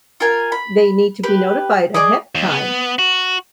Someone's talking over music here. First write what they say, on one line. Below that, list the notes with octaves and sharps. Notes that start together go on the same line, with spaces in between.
They need to be notified ahead of time.
F4 A#4 G#5
B5
G4 B4
G#4 D5 D#5
D#2
B3
F#4